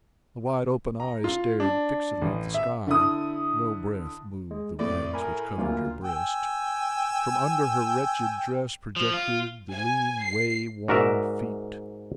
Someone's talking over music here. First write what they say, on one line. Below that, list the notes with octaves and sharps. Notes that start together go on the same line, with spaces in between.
The wide-open eyes stared fixedly at the sky; no breath moved the rags which covered her breast; from under her wretched dress projected the lean way-worn feet.
A#5
F4
D4
A1
E5
D3 E4 D#6
G#3
F2 A2 D5
A#4 G#5 B5
D2 A#3 F4
G5 G#5 E6
F3
F4
G#5
C7
G#2 F#4 A#4 D5 E5